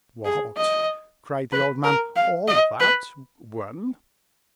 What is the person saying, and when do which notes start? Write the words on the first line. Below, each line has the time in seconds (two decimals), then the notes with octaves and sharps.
"What!" cried the old man--"all that--won?"
0.25 G#4
0.57 D#5
1.52 B4
1.84 A#4
2.16 F5
2.48 D#5
2.80 B4